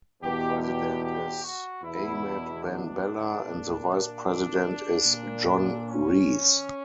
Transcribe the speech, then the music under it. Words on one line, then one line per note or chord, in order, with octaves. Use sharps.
The President is Ahmed Ben Bella and the Vice-President is John Rees.
E2 B2 G4
G4
G4
F#4
E2 B2 E4
D4
A#2
D4
A#2
C#4